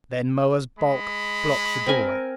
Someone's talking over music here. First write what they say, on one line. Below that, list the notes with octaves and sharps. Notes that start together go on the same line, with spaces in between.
Then Moa's bulk blocked the doorway.
G#3 B5
C4 A#4 G#5